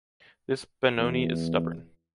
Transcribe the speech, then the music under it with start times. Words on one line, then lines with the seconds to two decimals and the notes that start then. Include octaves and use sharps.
This Benoni is stubborn.
0.97 E2